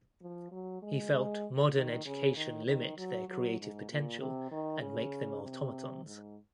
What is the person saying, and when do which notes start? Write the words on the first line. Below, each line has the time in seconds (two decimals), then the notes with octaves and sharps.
He felt modern education limit their creative potential and make them automatons.
0.21 F3
0.51 F#3
0.82 G#3
1.13 G#3
1.75 D#3
2.05 C#3
2.36 D#3
2.66 D#3
2.97 F#3
3.29 F#3
3.59 G#2
3.90 A#2
4.21 C3
4.51 D#3
4.82 C#3
5.43 C3
6.05 G#2